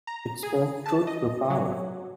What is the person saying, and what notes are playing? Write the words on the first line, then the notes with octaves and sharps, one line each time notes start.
It spoke truth to power.
A#5
G#4
A5
D#5
F#3